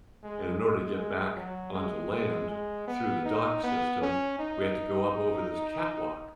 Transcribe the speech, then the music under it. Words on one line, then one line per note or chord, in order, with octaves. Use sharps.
and in order to get back onto land through the dock system, we had to go up over this catwalk,
G#3
G#3
G#3
F#3
G#3
G#3
G#3
B3
D#4
B3
C#4
D#4